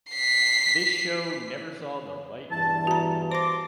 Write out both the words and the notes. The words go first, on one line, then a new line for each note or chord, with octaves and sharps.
This show never saw the light of day.
B6 C7
E2 G2 E3 A5
F#4 A#5
C5 A5 C6 D6 A#6